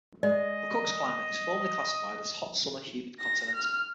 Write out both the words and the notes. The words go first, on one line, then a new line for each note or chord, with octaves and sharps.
McCook's climate is formally classified as hot-summer humid continental.
G#3 D5 D#5
A#6
F6